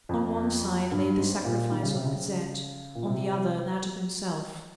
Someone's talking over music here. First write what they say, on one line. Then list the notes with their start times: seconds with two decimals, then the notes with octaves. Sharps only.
On one side lay the sacrifice of Cosette, on the other that of himself.
0.09 F2
0.92 G2
1.18 G#2
1.45 A#2
1.71 D#3
1.83 C#3
1.95 C3
2.06 C#3
2.95 A#2
3.05 C3